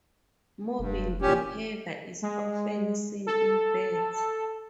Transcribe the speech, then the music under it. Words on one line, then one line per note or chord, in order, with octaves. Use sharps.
Mobbing behaviour is often seen in birds.
F1 G2
A#2 C#4 G4
G#3
A4